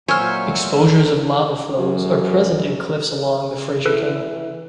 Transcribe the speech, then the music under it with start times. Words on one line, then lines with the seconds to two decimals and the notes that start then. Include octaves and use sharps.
Exposures of lava flows are present in cliffs along the Fraser Canyon.
0.08 A#2 F#3 C5 C#5 E5 G#5 F6
1.78 F#2
3.86 E3 A4 B4